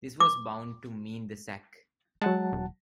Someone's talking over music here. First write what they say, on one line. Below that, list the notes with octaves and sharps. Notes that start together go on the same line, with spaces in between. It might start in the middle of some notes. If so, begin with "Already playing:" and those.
This was bound to mean the sack.
D6
F#3 G#3 F#5 A5
E1